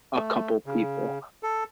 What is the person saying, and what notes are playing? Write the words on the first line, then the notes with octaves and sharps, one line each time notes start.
a couple people,
A3
C#3
A4